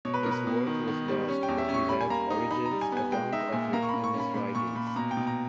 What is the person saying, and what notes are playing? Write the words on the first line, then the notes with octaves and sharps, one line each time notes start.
This work was lost, but we have Origen's account of it in his writings.
B2 C#5
B4
B2 A#4
B4
B2
D#3
D#3
G3
C#4 C#5
G5
E2
E5
C#4
C#6
G3 B5
G#5
A#3 A#5
D#4 A#5
D#4 B5
A#5
G3
G#5
B3 G#5
G#3 G5
D#4 E5
A#2 G#5
A#3 A#5
C#6
A#3 B5
C#6
C#4
B5
A#2 B5
A#2 C#6
A#2 B5
B5
B2 A#5
G5
B2
A#5